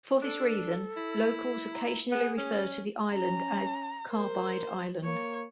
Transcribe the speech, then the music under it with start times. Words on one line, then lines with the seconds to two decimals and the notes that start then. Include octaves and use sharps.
For this reason, locals occasionally refer to the island as "Carbide Island".
0.22 D4 A4
0.96 E4
1.73 A#5
2.12 B3 G#4
2.38 C#4
3.13 C#4 A#5
4.10 A#4 C5
5.04 A#3 C#5